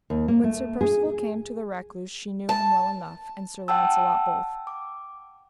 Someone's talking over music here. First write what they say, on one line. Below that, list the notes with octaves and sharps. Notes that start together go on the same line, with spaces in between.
When Sir Percivale came to the recluse she knew him well enough, and Sir Launcelot both.
D#2
A#3
A3
G#4
A5
F#5 G5 A5 E6
D6